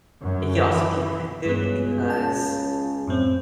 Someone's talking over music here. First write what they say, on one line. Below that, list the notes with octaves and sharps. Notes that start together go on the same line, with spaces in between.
It can also be hectic because
F#2
E3
C#2 G2 C#3 B3
A5
F#2 A2 C4